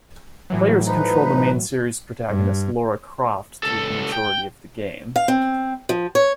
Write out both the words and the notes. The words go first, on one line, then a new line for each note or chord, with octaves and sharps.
Players control the main series protagonist Lara Croft through the majority of the game.
A2 E3 F#3
F3 D#4 B4
G2
C#2 A4
G5
F5
C4
F3
C#5